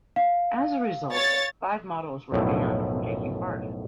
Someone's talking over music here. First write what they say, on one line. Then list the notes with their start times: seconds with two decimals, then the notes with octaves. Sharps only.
As a result, five models were banned from taking part.
0.16 F5
1.14 C#5 A6
2.32 B1 F#2 A2 F3 E4